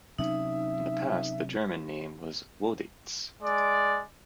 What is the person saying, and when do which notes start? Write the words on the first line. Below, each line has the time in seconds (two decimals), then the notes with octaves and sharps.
In the past the German name was "Woditz".
0.19 C3 F#3 C#4 D#4 E5
3.42 G#3 D5